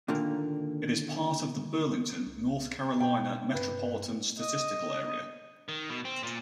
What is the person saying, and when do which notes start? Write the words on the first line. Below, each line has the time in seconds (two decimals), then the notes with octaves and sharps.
It is part of the Burlington, North Carolina Metropolitan Statistical Area.
0.08 A#2 D3 D#3 A#3
2.26 C2
3.00 B2 G5
3.54 G2 B4
4.39 D#5
5.68 D#3
5.90 B2
6.05 C4
6.23 A#2